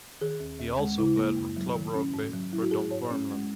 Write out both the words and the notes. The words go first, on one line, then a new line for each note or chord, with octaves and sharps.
He also played club rugby for Dunfermline.
D#3 G#4
D#2
D#2
G#3
C#3 E4
A#3
F#2
F#3
D#3
C#4
G#2
F#3
F#3 E4
F#4
G#2 G#4
G#2 C#5
C#4
G#3